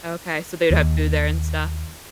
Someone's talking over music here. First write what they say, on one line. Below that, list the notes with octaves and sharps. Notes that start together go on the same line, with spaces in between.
Okay, so they'd have food there and stuff?
D#2